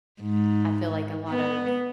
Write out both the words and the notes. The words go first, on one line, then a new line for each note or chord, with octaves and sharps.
I feel like, a lot of
G#2
B3